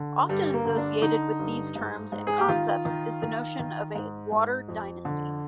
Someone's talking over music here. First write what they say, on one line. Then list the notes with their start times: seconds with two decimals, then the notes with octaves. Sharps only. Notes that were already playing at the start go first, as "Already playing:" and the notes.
Often associated with these terms and concepts is the notion of a "water dynasty".
Already playing: D3
0.29 G2 G3
0.54 A#3
0.65 D3
0.78 D4
1.02 D3 D#4
1.39 G2
1.76 G#2
2.12 G#2
2.27 G#4
2.38 G4
2.48 D#3 F4
2.85 D#3
3.22 D#3
3.59 D#3
3.95 G#2
4.32 G#2
4.68 F2
5.05 D3